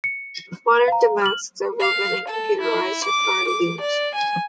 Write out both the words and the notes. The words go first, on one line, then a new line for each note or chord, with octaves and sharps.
Modern damasks are woven on computerized Jacquard looms.
C#7
F5 A#5
F6 F#7
F5
A4
E4
D6
D6
D5
G#5